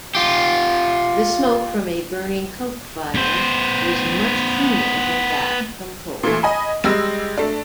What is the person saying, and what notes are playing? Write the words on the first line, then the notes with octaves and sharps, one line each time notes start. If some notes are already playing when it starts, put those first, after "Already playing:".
The smoke from a burning coke fire was much cleaner than that from coal.
F4 G4
B3 C5
A#2 E3 A3
D#5 G#5 B5
G3 G#3 G5 E6 A#6
A3 D4